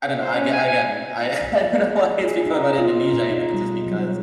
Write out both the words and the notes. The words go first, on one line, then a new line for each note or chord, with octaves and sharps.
I don't know. Ag again, I I don't know why it's become about Indonesia. I think it's just because
C5
C#4
G#5
G#5
G#4
D#4
F4
B2
D#4
G3
F#3